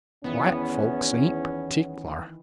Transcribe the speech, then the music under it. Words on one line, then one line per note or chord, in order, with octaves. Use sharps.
White folks ain't partic'lar.
E2 D#3 E3 B3 C#4